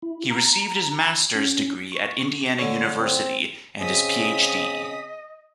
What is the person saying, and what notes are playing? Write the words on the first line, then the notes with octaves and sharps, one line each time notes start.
He received his master's degree at Indiana University, and his PhD.
E4
A#5
C#4
C#6
D3 C#4
C4
C#3 C4 D#5 G#5 D#6 B6